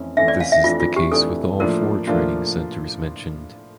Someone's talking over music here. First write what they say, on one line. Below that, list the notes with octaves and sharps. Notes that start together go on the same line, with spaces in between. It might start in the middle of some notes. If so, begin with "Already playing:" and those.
This is the case with all four training centers mentioned.
Already playing: F2 E3 A3 C#4
F2 E3 A3 C#4 E5
D5
F5
E5
F2 E3 A3 D4 F4
F4
G4
F2 E3 A3 D4 A4
A2 F3 A#3 D4 F4 A#4
A2 F3 A#3 D4 F4